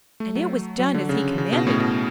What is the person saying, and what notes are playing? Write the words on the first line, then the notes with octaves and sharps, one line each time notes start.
And it was done as he commanded.
A3
F#3
F#3
D3
C#3
C#3
B2
A2
B2